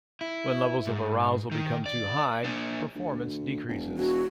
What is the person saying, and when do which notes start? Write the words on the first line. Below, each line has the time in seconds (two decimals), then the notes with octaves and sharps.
When levels of arousal become too high, performance decreases.
0.21 E4
0.87 G#2
1.52 D#3
1.86 D5
2.44 A#3 D4
2.95 D2
3.68 E1
3.98 E1 F#4